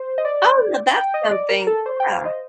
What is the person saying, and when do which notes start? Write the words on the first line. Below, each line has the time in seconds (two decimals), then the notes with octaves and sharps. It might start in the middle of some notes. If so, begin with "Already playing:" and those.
Oh, now, that's something. Yeah.
Already playing: C5
0.18 D#5
0.25 D5
0.96 G5
1.14 D#5
1.32 D5
1.49 A#4
1.67 A4
1.86 C5
2.00 G5
2.12 F5
2.25 D#5